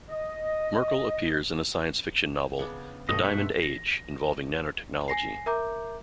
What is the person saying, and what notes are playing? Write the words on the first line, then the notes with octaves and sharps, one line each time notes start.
Merkle appears in the science fiction novel "The Diamond Age", involving nanotechnology.
D#5
C#3 B3 D4
G2 B2 A3 D#5
C5 E5 F#5
A#6
G#5 A#6 C7
A#4 E5 A#5 D6 G6